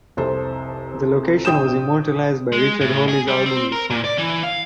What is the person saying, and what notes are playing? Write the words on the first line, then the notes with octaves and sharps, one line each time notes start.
The location was immortalised by Richard Hawley's album and song.
F1 C2 A4 C5
A#1 G5 D#6 G6 E7
G#3
A2
G#4
G3
C4
A#4
A#2
D5
E3
F5